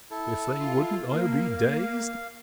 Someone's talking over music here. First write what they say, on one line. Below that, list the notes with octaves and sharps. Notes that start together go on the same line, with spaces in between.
If they wouldn't I'll be dazed!
E4 A4
F4
A#3 F5